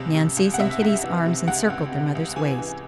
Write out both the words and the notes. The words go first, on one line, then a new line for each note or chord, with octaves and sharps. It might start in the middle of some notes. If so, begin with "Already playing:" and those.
Nancy's and Kitty's arms encircled their mother's waist.
Already playing: C#2 C3
C3
C#2
F#5
C3 E5
C#2
E3
C3
C#2 F#5
C#2
C3
C#2
E3 G#5
E3